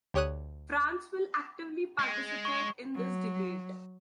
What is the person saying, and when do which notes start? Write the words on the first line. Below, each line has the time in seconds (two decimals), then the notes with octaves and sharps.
France will actively participate in this debate.
0.14 D2 G4 C#5 D#6 F#6 D#7
1.99 G#3
2.45 C#6
2.95 F#3